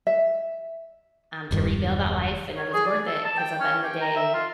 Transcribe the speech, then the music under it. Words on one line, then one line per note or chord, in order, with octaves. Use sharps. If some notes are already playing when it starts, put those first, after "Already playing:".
um, to rebuild that life, and it was worth it, 'cause at the end of the day,
E5
E1 G2 D#3
C#5
G#4
D5
A4
A5
G5
C#4
G5
A#5
E5
F4